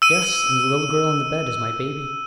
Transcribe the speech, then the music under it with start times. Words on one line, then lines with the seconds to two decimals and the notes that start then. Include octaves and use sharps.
"Yes, and the little girl in the bed is my baby."
0.02 E6 D#7